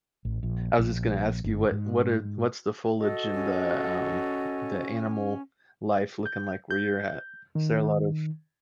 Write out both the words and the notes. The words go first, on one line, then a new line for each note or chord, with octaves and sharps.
I was just gonna ask you what what are what's the foliage in the, um, the animal life looking like where you're at? Is there a lot of
A1
A#1
A#1
G1
G#2
F#4 A4 D#5
C#4
G6
G6
D#3